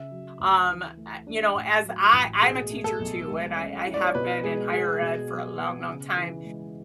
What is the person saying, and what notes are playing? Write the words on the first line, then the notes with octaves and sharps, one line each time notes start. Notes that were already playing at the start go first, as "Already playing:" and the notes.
Um, I you know, as I I'm a teacher too, and I I have been in higher ed for a long, long time,
Already playing: C#3 E5
F#3
D2
E3
A3
D4
A2
F#3
A1
B2 G#4
A3
A4
B1
G#3
C#4
E4
D5
C#5
B2 B4
G#3 G#4
B3 G#4
B2
F#3
B3
C#3
E3
G#3